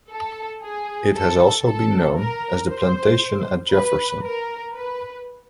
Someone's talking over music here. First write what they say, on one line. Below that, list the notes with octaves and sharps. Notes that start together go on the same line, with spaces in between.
It has also been known as the Plantation at Jefferson.
A4
G#4
A4
A4
A#4
C5
B4
A#4
B4